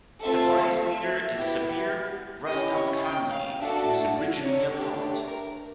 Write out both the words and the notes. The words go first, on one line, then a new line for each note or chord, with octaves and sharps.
The party's leader is Sabir Rustamkhanli, who is originally a poet.
A3 C4 F4 A4 E5
F5
E5
B3 E4 G4
C#4 E4 G4 D#5
C#5
G5
F5
D4 F#4 A4 E5
D5
C#5
A3 D4 G4
A#4